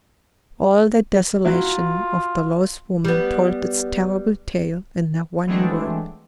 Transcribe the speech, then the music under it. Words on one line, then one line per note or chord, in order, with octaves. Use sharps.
All the desolation of the lost woman told its terrible tale in that one word.
F#3 E4 F4
G3 B3
E3 F#3 G#3 A3 C4 D4